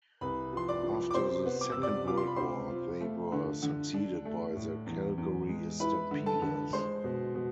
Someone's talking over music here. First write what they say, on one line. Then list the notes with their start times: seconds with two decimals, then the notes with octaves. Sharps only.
After the Second World War, they were succeeded by the Calgary Stampeders.
0.21 C2 B4 B5
0.53 F3 C6
0.68 D5 D6
0.83 F3
1.10 D6
1.14 C3 C5 C6
1.45 B3
1.61 D6
1.72 C3 E6
1.83 D5 D6
2.07 F4 D6
2.17 C6
2.27 B5
2.36 C4 C5 C6
2.69 F4
3.01 A3
3.32 D3
3.62 D3
3.94 D4
4.25 A3
4.56 A2
4.86 E2
5.18 E2
5.49 G#3
5.80 E4 B4 B5
6.11 D3
6.26 A4 A5
6.42 D3
6.73 G#3 C5 C6
7.04 B2
7.35 B2